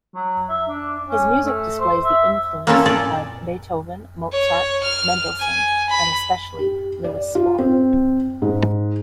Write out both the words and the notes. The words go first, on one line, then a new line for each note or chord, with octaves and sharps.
His music displays the influence of Beethoven, Mozart, Mendelssohn and, especially, Louis Spohr.
F#3
E5
D4
C#4
A3
C5
E5
A#3 C4 C#4 E4 F4 A4
A#2 G#4 A4 D5
C#5
F6
G#5
B5
G4
D5
F4
C4
G#2